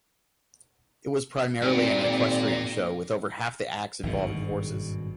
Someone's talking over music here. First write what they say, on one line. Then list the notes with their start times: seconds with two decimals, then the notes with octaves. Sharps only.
It was primarily an equestrian show with over half the acts involving horses.
1.62 G#1 A#2 C4 D5
4.03 G#1 G2 B2